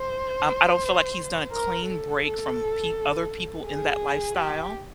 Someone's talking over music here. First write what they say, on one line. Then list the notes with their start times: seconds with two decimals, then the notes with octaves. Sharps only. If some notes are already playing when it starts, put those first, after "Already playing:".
Um, I don't feel like he's done a clean break from peo other people in that lifestyle.
Already playing: C5
1.52 A#4
1.88 A4
3.65 G#4
4.37 G4